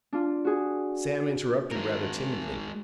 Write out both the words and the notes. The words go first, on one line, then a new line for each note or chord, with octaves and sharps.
Sam interrupted rather timidly.
D4 F4
F#4 G#4
G#3 A#4